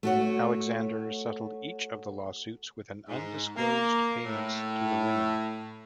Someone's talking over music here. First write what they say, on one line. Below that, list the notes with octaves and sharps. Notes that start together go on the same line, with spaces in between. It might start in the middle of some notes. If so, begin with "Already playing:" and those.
Alexander settled each of the lawsuits with an undisclosed payments to the women.
A3 F#4 C#5
G#2
A#3
A2